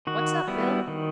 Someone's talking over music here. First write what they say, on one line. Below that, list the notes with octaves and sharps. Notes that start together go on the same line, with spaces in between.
"What's up, Bill?"
D#3 F#4
G3 B3 E4
D#3